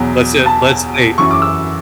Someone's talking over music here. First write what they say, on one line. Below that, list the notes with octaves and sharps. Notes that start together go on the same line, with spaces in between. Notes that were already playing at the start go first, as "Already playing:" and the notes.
Lets in let's, hey
Already playing: E2 B2 F#3
A5
F#2 E3 C#6
D6
E6